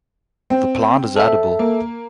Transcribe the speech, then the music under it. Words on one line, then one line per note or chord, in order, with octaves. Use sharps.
The plant is edible.
C4
A4 E5
A#3